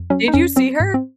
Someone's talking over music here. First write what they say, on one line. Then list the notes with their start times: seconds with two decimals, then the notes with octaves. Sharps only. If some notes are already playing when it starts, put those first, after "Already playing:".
Did you see her?
Already playing: F2
0.10 F#3 C#4
0.28 D#4
0.34 F2 C#4
0.56 F#3 C4
0.80 G#2
0.94 C4